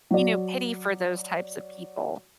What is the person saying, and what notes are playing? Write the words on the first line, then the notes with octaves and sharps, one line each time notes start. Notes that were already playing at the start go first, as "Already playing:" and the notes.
you know, pity for those types of people
F#3 D5